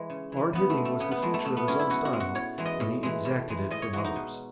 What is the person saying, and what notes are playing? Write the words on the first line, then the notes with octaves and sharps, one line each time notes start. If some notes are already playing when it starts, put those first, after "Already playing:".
Hard hitting was the feature of his own style, and he exacted it from others.
Already playing: E3 G#3
C#3
E3 G#3
C#3 B3
A3
G#3
A3
C#3 B3
B3
G#3 A3
A3
B2 A3
B3
G#3 C#4
E4
B2 F#4
F#4
G#3
F#4
A2 C#5
E3 G#3
D#5
A2
E3 G#3
A2
E3 G#3
A2 D#5
C#5
E3 G#3 F#4
D#4
B2